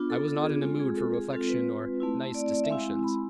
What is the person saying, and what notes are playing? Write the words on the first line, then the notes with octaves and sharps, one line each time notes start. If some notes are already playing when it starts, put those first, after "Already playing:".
I was not in a mood for reflection or nice distinctions.
Already playing: B3 D4 F4
A4
A4
G#4
G#3 C4 F4 A4
G#4
A4
G#4
G#3 C4 F4 A4
B4
A3 C4 E4
D5
D5
E5
G#3 C4 E4 F5
G#5
B5